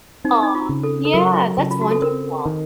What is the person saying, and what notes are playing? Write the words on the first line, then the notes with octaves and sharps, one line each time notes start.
Aw, yeah, that's wonderful.
C4 D#4
D#4
F4
C#3
A4
A4
F#3 A#4
C#3
F4
F#4
A4
C4 A#4
D#3